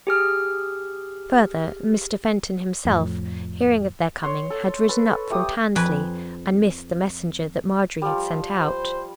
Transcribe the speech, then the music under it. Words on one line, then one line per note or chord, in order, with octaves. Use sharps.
Further, Mr. Fenton himself, hearing of their coming, had ridden up from Tansley, and missed the messenger that Marjorie had sent out.
G4 G#4 F6
F2 A2
C#5 C6
A4
A4 B4
A3 G4 D#6
F2 B4 G#5
F3 G3
C5